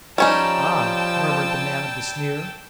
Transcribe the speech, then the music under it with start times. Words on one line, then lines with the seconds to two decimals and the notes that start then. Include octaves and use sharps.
"Ah!" murmured the man of the sneer.
0.18 F3 G3 C#4 D#4 G5 A5 E6